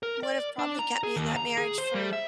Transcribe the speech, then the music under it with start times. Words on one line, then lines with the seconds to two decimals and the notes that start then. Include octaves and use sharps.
would have probably kept me in that marriage for
0.03 A#4
0.23 D5
0.59 D4
0.79 A#5
1.03 G#4
1.16 D#2
1.36 A#5
1.58 G#4
1.78 C5
1.95 G3
2.13 E5